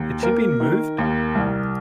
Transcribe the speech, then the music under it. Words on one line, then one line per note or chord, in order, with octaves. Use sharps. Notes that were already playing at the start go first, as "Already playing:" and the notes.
Had she been moved?
Already playing: D#2
A#3 A#4
D#3
D#2
C2